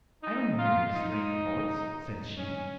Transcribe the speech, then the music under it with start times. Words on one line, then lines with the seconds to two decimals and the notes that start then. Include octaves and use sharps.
"I don't hear any strange voice," said she.
0.23 D#4
0.59 F4
0.95 D#4
2.38 C#4